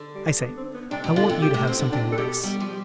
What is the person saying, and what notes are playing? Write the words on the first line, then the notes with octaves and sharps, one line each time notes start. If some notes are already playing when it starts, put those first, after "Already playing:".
I say, I want you to have something nice.
Already playing: D3
G3
B3
C4
B3
C3 D4
B2
D3 F4
C3
G4
A2
B2 C4
D3
C3 D4
A4
B2 G4
G3 G4
F3
G4